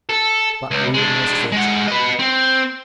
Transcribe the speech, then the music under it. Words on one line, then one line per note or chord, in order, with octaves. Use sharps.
But we were most fortunate.
A4
C#2
G#3 D4
G#3 F#5
B4 D#5
C4